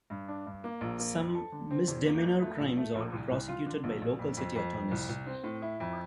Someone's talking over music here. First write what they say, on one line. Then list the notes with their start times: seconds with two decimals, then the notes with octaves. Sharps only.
Some misdemeanor crimes are prosecuted by local city attorneys.
0.10 G2
0.28 D4
0.46 G2
0.64 A#3
0.81 A#1
0.99 A#3
1.17 F2
1.35 A4
1.52 D3
1.71 C4
1.88 E2
2.06 A#3
2.24 G1
2.42 A3
2.60 A#1
2.77 A3
2.95 A#1
3.13 C2
3.31 C2
3.48 F4
3.66 D3
3.84 A#1
4.02 A#1
4.19 F2
4.37 F2
4.56 F2
4.73 F2
4.91 C2
5.09 C2
5.26 C4
5.44 A2
5.62 E4
5.80 F2